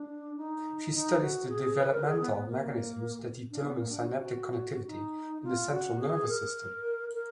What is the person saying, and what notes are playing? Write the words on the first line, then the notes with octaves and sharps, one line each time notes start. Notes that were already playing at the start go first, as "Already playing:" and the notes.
She studies the developmental mechanisms that determine synaptic connectivity in the central nervous system.
Already playing: D4
D#4
D#4
F#4
G#4
G#4
B4
A#4
G#4
B3
B3
A#3
D4
B3
A#3
D4
F#4
F#4
D#4
F4
F#4
G#4
A#4
A#4